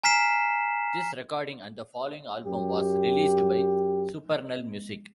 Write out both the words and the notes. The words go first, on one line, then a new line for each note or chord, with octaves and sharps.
This recording and the following album was released by Supernal Music.
G#5 A#5 F6 B6 C7 E7
F#2 G4